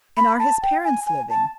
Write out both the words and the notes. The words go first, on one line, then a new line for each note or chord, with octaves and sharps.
"And are his parents living?"
B5
A5
G5
G#5
G#5
A5